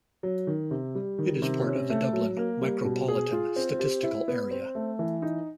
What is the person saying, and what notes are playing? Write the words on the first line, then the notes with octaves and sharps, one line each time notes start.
It is part of the Dublin Micropolitan Statistical Area.
F#3
D#3
C3
G3
D#3
C3
C#4
A3
F#3
A#3
G3
B2
G#4
F4
C4
G4
E4
B3
C4
A3
E3
D#4